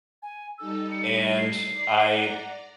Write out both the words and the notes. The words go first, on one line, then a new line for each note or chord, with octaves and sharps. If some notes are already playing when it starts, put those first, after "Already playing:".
and I
G#5
G3 D#4 A4 E6
C#7
C7
D5 A#5
F#5